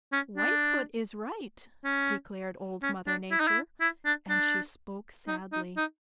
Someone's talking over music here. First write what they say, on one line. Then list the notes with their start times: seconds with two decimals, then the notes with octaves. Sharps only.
"Whitefoot is right," declared Old Mother Nature, and she spoke sadly.
0.13 C#4
0.37 D4
1.84 C#4
2.83 C#4
3.07 D4
3.32 E4
3.40 D#4
3.48 E4
3.81 E4
4.05 D4
4.29 D4
5.27 D#4
5.52 D#4
5.77 D#4